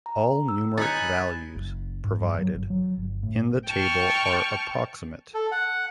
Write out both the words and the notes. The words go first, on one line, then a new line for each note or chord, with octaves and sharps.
All numeric values provided in the table are approximate.
A#5
E6
D#4 C#5 G#5 B5 F#6 A6
F#1
G#2
G2
F#3
G1
F#3
G1
A2
G5 A5 C#6 F6
A4
F#5